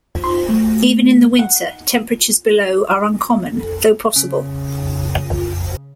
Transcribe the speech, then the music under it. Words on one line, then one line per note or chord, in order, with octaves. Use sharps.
Even in the winter, temperatures below are uncommon, though possible.
C6
A3
F#5
C#3 C#4